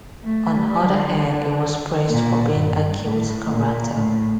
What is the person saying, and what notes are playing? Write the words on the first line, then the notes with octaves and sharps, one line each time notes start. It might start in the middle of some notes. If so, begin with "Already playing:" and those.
On other hand, he was praised for being a "cute character".
A3
G3
D3
A#2
G2
A2
A#2
A2